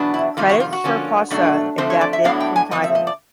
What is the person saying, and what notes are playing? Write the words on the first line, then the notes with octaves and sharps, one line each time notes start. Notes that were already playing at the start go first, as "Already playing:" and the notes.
Credits for "Pausa" adapted from Tidal.
Already playing: E2 B2 F#3 B3 D4
E4
F2 C3 D#3 G3 F4
F#4
F4
F#4
D3 F3 A#3 C#4
B2 F#3 A3 D4
D3 F3 A3 C4 C5
C#5
D5
E5
A2 F#3 B3 D4 F5
G5
G#5
A#2 F3 C4 D#5
E5
D#5
D5